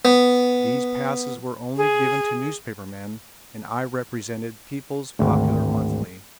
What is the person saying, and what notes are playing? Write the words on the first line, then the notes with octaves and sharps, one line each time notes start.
These passes were only given to newspaper men and I represented People's Popular Monthly.
B3
G#4
G#1 D2